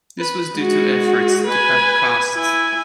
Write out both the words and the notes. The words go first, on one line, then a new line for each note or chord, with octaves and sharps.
This was due to efforts to cut costs.
B4
G#3 F#4
B4 G#5
E4 G#5